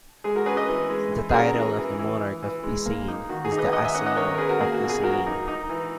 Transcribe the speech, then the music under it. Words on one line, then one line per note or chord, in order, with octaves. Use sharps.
The title of the monarch of Iseyin is "The Aseyin of Iseyin".
G#3 G#4
F#4 A#4
C#4 G#4 B4
B4 D#5
E3
G#3
E3
G#4
C#4 F#4 A#4
E3 G#4
E3
E3
E3
E3
G#3
A#3
D#4
D#3 F#4
G#4
D#4
B4 D#5
D#3 D#5 F#5
E5 G#5
C#4 D#5 F#5
D#5 F#5
D#3 A#4 C#5
A#4
C#4 G#4 B4
F#4 A#4
A#3 G#4
F#4
B2
G#4
F#3 F#4 A#4
D#4
D#4
E3